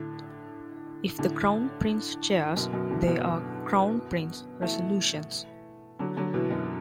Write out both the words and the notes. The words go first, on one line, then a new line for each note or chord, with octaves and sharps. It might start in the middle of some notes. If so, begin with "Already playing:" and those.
If the Crown Prince chairs, they are Crown Prince resolutions.
Already playing: A2 D3
A2 D3
F#2 B2
F#2 B2
A2 D3
F#2 B2
E3 A3
D3 F#3
D3 F#3
B2 E3
F#2